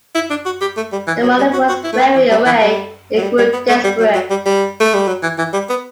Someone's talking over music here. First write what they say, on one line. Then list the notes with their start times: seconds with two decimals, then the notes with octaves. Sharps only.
The morning was wearing away; he grew desperate.
0.15 E4
0.30 D4
0.45 F#4
0.61 G4
0.77 A3
0.92 G3
1.07 E3
1.22 F#3
1.38 G3
1.53 F#4
1.69 F#4
1.84 E4
1.93 A3
2.00 B3
2.15 E3
2.30 G3
2.46 E3
2.61 G3
3.17 F#3
3.23 G3
3.38 G3
3.53 B3
3.69 A3
3.84 G3
3.99 F#3
4.14 F#3
4.30 G3
4.46 G3
4.80 A3
4.94 G3
5.07 F#3
5.23 E3
5.38 E3
5.53 G3
5.69 B3